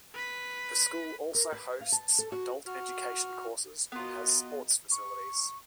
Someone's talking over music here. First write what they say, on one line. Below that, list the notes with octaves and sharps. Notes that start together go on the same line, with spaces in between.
The school also hosts adult education courses and has sports facilities.
B4 B6
A#4
B4
F5
A5
A4
F#4
F#4 F6
B3 F4 F#4 A#4 D#5
C#6